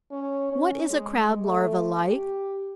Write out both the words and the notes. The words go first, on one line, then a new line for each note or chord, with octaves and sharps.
What is a Crab larva like?
C#4
C#4
G#3
A3
G4